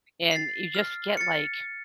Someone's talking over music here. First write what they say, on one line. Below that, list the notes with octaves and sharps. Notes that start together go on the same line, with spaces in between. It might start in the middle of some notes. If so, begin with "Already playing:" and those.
and you just get like,
A6 C7
F6
A6 C#7